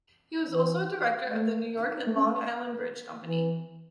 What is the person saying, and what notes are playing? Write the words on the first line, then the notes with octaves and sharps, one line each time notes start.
He was also a Director of the New York and Long Island Bridge Company.
E3
A3
A3
C#4
A3
E3